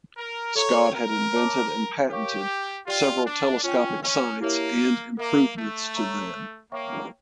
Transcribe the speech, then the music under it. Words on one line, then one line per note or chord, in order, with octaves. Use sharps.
Scott had invented and patented several telescopic sights and improvements to them.
A#4
A4 C#5 E5 A#5 C#6
A#4
C#5 E5 A5 D6
G4 A#4 C#5 F5 C#6
F4 G4 D5 G5
D4
C#4 F4 C#5 G5
C#4
A#3 E4 G4 A#4 C#5 E5
A#3 A#4 E5 A#5 D6
A3
C#5 E5 A#5 C#6
A#3 C#5 E5 G5 C#6